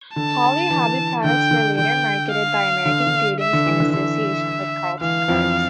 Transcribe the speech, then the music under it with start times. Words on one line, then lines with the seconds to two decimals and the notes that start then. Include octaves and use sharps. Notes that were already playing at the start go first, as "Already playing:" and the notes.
Holly Hobbie products were later marketed by American Greetings in association with Carlton Cards.
0.16 D3 A5
0.70 E3
1.24 D3 G5
1.51 D3
1.78 D3 G5
2.32 F5
2.86 D3
3.07 D3
3.40 E5
3.53 D3
3.66 E3
3.80 D3
3.93 D3 E5
5.01 E3 F5
5.28 F2 F3